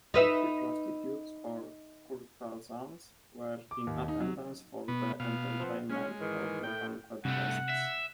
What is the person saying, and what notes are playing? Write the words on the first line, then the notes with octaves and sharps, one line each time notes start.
Fifty prostitutes or courtesans were in attendance for the entertainment of the banquet guests.
D#4 B4 E5
D6
D#2
D#4
F#3
B2 B3
B2 F5
F3 B3 C4
G#3 C#4
G#2 D#3 E3
A2 G5
G2 C3 A3 F#5
E5